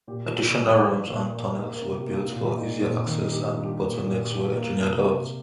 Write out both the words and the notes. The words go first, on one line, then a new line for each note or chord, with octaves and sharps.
Additional ramps and tunnels were built for easier access, and bottlenecks were engineered out.
A#2 G4
A#2
G3
F3
A#2
A#3
A#3 A#4
A#4
C3
G4
A#3
G4
A#2 F4
A#2 D#4
A#2 C4
D#3 D#4
G2 G4
F4
G2
G4
A#2 A#4
A#2 G4
A#3 G4
A#3
C3
C3